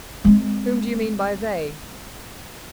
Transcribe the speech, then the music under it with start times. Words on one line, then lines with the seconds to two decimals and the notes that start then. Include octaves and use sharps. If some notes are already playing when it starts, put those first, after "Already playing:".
"Whom do you mean by they?"
0.25 G#3 C4